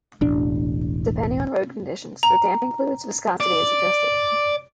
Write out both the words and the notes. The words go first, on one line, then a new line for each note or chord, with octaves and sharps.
Depending on road conditions, the damping fluid's viscosity is adjusted.
E1 A1 D4
A#5
D5